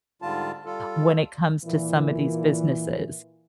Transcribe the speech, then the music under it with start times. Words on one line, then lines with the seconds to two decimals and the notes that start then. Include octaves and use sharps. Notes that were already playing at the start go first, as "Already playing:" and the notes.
when it comes to some of these businesses.
0.22 G#2 D3 G3 F4 A5
0.65 G3 F4 A4
1.65 A#2 E3